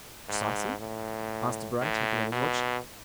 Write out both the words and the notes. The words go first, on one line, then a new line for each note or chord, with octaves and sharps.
"Precisely?" asked Debray, taking out his watch.
G#2
A2
A2
B2